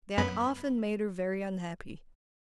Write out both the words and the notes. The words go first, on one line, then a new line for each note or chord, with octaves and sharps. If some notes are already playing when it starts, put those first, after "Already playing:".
They had often made her very unhappy.
F#2 B3 B5